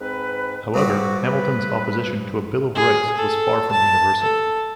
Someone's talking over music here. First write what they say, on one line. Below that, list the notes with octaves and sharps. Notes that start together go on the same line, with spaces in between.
However, Hamilton's opposition to a Bill of Rights was far from universal.
G#2 C4 B4
G2 G3 C4 F#4
B4
G#4
A4
A5
A4